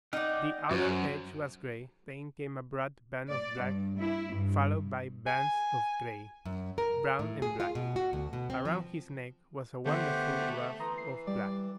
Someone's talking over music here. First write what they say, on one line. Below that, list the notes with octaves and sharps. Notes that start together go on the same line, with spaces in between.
The outer edge was gray, then came a broad band of black, followed by bands of gray, brown and black. Around his neck was a wonderful ruff of black.
D#4 D5 F#5 G5 F6
F#2 F#4 C5
D5
G2
E4
G2
G#5
F#2
A#4
A2
G#4
F4
B2
F#4
D2
B2
C4
F3
D3 A3 B3 G4 C5 F#5 G6
E3 A#5 C6 D#6
C7
G3 D5